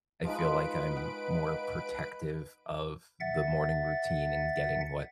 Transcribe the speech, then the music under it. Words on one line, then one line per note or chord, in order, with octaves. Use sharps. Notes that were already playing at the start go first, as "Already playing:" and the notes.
I feel like I'm more protective of the morning routine and getting what
F3 G#3 D#4 B4 D7
F#5
E5 F#5 A6